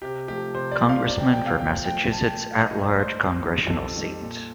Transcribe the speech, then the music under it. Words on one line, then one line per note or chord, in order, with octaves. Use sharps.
Congressman for Massachusetts's at-large congressional seat.
C3 G4
F3 A3 G4
C3 C5
D5
F3 A3
F5
C3 D5
G5
F3 A3 G5
F5
C3 G5
F3 A3 G5
A2 A5
G5
A3
F5
A2 D#5
D5
A3
C5
F2
D#3 G3
F2 A4
D#3 G3
A#2